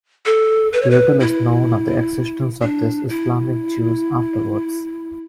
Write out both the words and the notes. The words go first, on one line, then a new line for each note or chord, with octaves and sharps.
Little is known of the existence of these Islamic Jews afterwards.
A4
B4
C#5
B4
E4
D4
E4